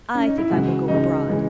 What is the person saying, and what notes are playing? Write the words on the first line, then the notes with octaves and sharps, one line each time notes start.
"I think I will go abroad."
C#4
D#4
E4
C#2 C#3 E3 F#3 G#3 F#4
C#2 C#3 E3 G#3 D#4
C#3 E3 G#3